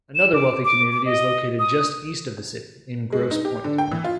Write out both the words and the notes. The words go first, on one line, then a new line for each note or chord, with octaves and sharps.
Another wealthy community is located just east of the city, in Grosse Pointe.
E7
D6
D6
D6
D#5
D#6
G#3
D#4
G4
D3
G5
E3
F4